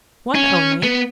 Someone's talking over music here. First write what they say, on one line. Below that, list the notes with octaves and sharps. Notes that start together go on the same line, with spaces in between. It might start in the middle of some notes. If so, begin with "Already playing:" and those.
"One only?"
C#4
B3